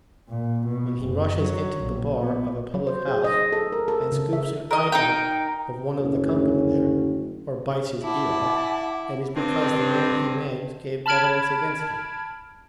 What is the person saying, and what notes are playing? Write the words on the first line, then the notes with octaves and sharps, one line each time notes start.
When he rushes into the bar of a public-house and scoops an eye out of one of the company there, or bites his ear off, it is because the man he maims gave evidence against him.
A#2
B2
F#1
F#3
A#1
B3
F#3
C5
G#4
D#5
A4
A#4
A4
C#3
E5
A#4 D#5
D#4 A#4 G5
F#1 D2 C#4
E4 F#5 A5 D6
G2 C4
A5 B5 F6 G#6 D7